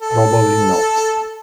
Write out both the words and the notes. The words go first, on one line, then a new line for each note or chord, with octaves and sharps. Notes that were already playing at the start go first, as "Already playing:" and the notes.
Probably not.
A4